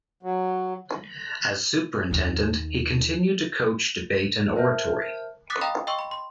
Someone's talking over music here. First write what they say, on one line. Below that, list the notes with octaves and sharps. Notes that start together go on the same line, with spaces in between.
As superintendent, he continued to coach debate and oratory.
F#3
D#2 D#3
A#4 C5 E5 A5 F6 G6
D6 D#6 F#6 A6 B6
D#5 F5 G5 A#5 B5 D#6
D#5 G5 C6 C#6 E6
B5
C6